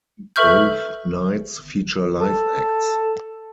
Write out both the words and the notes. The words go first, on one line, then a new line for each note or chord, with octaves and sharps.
Both nights feature live acts.
A4 B4 E5 C#6 F6 G6
A4